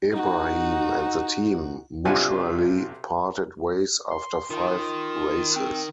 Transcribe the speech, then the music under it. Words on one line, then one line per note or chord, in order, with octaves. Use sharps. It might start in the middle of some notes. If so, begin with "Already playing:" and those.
Ebrahim and the team mutually parted ways after five races.
D#4 F#4
B1 C3 D4 F4 F#5 G#5
C6
D#3 F4
C4